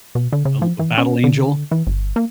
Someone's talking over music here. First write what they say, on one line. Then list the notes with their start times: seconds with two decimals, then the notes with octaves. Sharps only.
Uh, l a battle angel,
0.15 B2
0.33 D3
0.45 C#3
0.62 F3
0.79 E3
0.98 C#4
1.24 D3
1.72 E3
1.87 G1
2.16 A#3